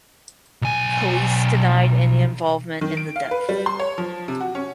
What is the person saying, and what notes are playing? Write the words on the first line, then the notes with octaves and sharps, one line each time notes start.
Police denied any involvement in the death.
B1 G#5
D#3
D7
F5
B4
G3
C6
C#5
F3
C3
F#4
C#4